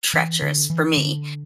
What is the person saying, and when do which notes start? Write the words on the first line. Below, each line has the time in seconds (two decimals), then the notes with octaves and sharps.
treacherous for me,
0.14 E3
0.42 D3
0.70 E3
0.97 D3